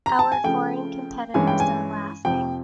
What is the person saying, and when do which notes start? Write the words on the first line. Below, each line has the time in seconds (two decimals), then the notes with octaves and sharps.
Our foreign competitors are laughing.
0.06 A#5
0.19 A5
0.32 G#5
0.44 C#3 F3 A3 G5
1.34 G2 E3 G#3 C#4 G#5
1.47 G5
1.60 G#5
2.25 F2 C3 F3 G5